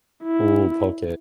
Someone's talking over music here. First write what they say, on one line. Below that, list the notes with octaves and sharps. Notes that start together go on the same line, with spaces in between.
Ooh, poke,
E4